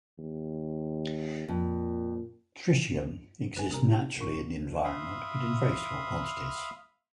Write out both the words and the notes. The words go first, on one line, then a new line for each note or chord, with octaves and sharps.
Tritium exists naturally in the environment, but in very small quantities.
D#2
F2 A#2
G1 B4 G#5
C3 G#4 A#4
A#1 A#3 C#6
E5 F5 B5 C6 D#6